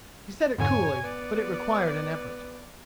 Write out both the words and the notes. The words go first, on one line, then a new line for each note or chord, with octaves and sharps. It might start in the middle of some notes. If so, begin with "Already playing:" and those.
He said it coolly but it required an effort.
F2 G#2 D3 C#5 G#5
B3 D5